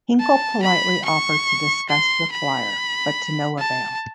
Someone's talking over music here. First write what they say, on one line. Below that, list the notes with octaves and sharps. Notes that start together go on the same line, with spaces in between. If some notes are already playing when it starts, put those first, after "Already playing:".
Hinkle politely offered to discuss the flier, but to no avail.
A5
B5
C#6
C6
B5
A5